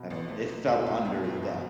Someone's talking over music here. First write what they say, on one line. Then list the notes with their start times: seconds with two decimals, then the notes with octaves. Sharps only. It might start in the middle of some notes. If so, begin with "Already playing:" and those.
I don't know it fell under that
Already playing: B2
0.10 A1
0.29 A3
0.49 F#3
0.67 C2
0.80 B2
0.86 C2
0.92 A2
1.05 F#2 B2
1.24 G1
1.43 F#2